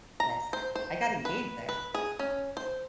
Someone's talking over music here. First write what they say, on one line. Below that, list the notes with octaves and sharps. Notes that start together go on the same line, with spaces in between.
Yes, I got engaged there.
A#5
C5
C5
B4
B4
G#4
C#4
C5